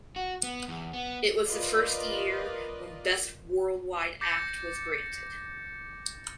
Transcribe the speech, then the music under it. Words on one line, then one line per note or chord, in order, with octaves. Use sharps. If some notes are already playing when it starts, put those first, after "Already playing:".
It was the first year when Best Worldwide Act was granted.
F#4
B3
E2
B3
F4 A#4 B4 D5 D#5
D6 G6 A6 A#6 C#7